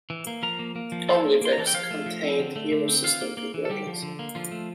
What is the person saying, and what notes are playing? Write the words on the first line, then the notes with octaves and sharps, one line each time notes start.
"Omlevex" contained Hero System conversions.
E3
A#3
F3 A#4 A#5
A#3
A#3
F3
E3 A4 A5
A#3
A#3 C6
A#5
E3 A5
G5
F3 F4 F5
A3
F3
C4
D3
A3
D3
C4
E3 F4 F5
A#3
A#3
E3
A4
D3 G3 G4
F3
D3
A#3
D3 F3 F4
A3